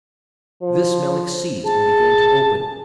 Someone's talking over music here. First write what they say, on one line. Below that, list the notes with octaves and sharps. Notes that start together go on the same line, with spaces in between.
This Melick seized and began to open.
F3
G#4 A5